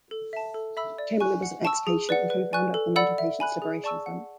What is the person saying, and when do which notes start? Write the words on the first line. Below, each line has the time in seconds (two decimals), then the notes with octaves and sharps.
Chamberlin was an ex-patient and co-founder of the Mental Patients' Liberation Front.
0.11 A4
0.33 E5 A5
0.54 A4
0.77 E5 B5 E6
0.98 D5
1.20 G#5 C#6 F#6
1.42 F#5
1.65 A5 C#6 E6
1.87 G#4
2.09 B4 D5 F#5
2.30 B4
2.53 D5 G#5 C#6 F#6
2.74 A4
2.96 D5 F#5 B5 E6
3.18 E5
3.40 G#5 B5 F#6
3.62 G#4
3.84 D5 A5 C#6 E6
4.06 F#5